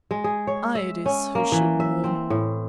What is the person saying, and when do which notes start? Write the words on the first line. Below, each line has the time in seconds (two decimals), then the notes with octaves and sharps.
I it is who should mourn.
0.11 G#3
0.24 G#4
0.47 C#5
0.75 E5
1.06 C#4
1.35 A#3
1.52 E3
1.80 E5
2.04 C4
2.30 A2